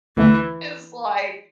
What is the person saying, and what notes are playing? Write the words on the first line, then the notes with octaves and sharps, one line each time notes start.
it's like
D2 D3 E3 A3